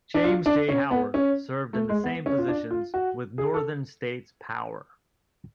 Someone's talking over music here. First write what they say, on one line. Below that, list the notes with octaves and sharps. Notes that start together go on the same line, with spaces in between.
James J. Howard served in the same positions with Northern States Power.
D4
F4
D4
C#4
B3
C#4
A3
G#3
B3
C#4
F4
D4
F4
F#4
G#4
A4